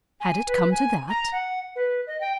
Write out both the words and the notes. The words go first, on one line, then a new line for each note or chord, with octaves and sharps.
Had it come to that?
G#5
B4
G#5
A#5
F#5
B4
D#5
G5